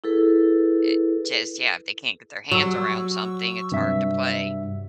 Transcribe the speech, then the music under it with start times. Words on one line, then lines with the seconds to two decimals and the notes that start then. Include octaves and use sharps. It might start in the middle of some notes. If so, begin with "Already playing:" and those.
eh just yeah. If they can't get their hands around something, it's hard to play.
0.04 E4 G#4 A4 B4
2.51 F#3 C#6 E6
3.72 G2 C3 E5